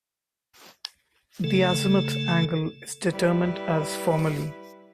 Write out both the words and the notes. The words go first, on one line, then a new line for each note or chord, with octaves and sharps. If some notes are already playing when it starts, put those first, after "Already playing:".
The azimuth angle is determined as formerly.
C#3 A3 A4
G3 E4 B4